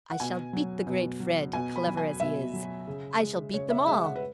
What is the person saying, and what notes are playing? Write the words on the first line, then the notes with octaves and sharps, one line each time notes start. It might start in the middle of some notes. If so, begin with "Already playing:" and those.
"I shall beat the great Fred, clever as he is; I shall beat them all!"
F#5
B2 G#5
F#3
B2
F#3
B2 G#5
B5
F#3
G#5
B2 E5
F#3
C#3
G#3
C#3 C#5
E5
G#3 E5
F#5
B4